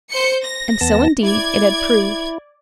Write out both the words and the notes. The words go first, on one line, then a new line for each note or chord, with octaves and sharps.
And so, indeed, it had proved.
C5 G6 C#7
A#6
E2 B3 A5
E4 D5 G#6